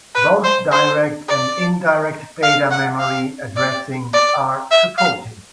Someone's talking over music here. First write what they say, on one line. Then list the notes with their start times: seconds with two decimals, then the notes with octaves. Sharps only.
Both direct and indirect data memory addressing are supported.
0.15 B4
0.44 C5
0.71 C5
1.28 D5
2.42 F5
2.71 F#5
3.00 F5
3.56 D5
4.13 D5
4.71 E5
4.98 F5